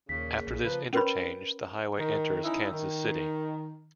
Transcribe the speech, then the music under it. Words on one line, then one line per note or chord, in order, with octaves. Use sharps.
After this interchange, the highway enters Kansas City.
D#2 A#2 C#3 B6
A#1
C#3 F3 A#3 B4
C#4 A#4 B4 C#5 B5
D#3
C#4 D#4 E4
D#3